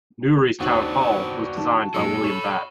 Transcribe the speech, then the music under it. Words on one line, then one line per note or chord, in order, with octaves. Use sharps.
Newry's town hall was designed by William Batt.
D#2 B3 C4 D4 F#4 D#7 F#7
D#3 A5
F#2 A#2 G#3 A4
C#5 B5 E7